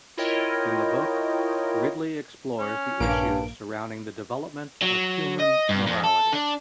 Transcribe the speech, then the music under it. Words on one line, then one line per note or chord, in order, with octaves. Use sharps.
In the book, Ridley explores the issues surrounding the development of human morality.
E4 F4 A#4 C#5 D#5 G5
C#4
A#1 G2 A#3 D7
F#3
D#5
G2
F2
A4
D4